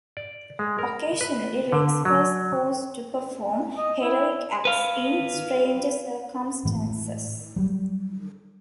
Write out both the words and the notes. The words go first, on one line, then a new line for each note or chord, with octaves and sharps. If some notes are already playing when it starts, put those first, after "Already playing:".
Occasionally Rex was forced to perform heroic acts in stranger circumstances.
D5
G#3
A#4
B4
D3
F#3
D#5
E4
B4 F5
A2 E3 G#3
F#3 G3